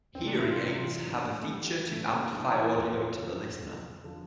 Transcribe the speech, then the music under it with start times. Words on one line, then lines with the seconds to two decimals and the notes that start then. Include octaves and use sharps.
Hearing aids have a feature to amplify audio to the listener.
0.15 C4
0.22 C2
0.27 D4
0.38 E4
0.50 F4
0.64 C3 E3
0.78 F4
1.06 G2 D4
1.40 A3
1.49 E3 G3
1.91 G2 A3
2.13 A#3
2.34 E3 D4
2.55 E4
2.76 F2 F4
3.19 D3 F3
3.61 F2
4.04 D3 F3